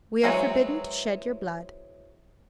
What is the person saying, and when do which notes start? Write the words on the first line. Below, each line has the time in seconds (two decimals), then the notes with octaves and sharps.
"We are forbidden to shed your blood."
0.23 E3 F#3 G#3 C4 F#4